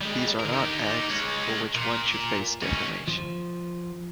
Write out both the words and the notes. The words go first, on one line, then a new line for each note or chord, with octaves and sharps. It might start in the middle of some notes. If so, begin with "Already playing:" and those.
These are not acts for which one should face defamation.
G3 G#3
D3 A#4
D#4 G4
G#3 C#4
A#2
D#2 C#4
F3